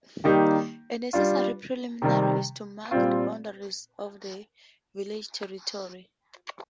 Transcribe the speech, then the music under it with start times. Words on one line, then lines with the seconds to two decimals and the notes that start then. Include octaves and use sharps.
A necessary preliminary is to mark the boundaries of the village territory.
0.24 D#3 G3 A#3 D#4 G4
1.13 G3 D4 F4
2.02 C3 D#3 G3
2.91 A#2 G3 C4 F4